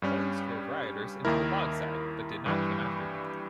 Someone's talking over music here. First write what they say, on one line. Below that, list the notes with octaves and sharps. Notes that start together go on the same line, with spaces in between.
Police drove rioters into the Bogside, but did not come after them.
G2 G3 C#4
D#2 D#3 A#3 E4 A#4
G2 E3 G3